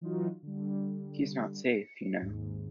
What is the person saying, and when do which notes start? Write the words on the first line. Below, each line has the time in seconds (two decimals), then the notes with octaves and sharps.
He's not safe, you know.
0.01 E3 F#3 D#4 F4 F#4
0.43 D3 G3
1.67 C#7
2.21 G#1 D#2 G#2